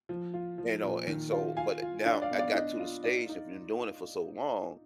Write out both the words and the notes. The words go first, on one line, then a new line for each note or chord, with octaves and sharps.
You know, and so but i now, I got to the stage I've been doing it for so long,
F3
F4
F3
A#2
D#3
F4
F4 F5 G#5
F4
D4 D5 F5
D5 F5
B3
D5 F5
D4 D#5
F4
D#4 D5
D#4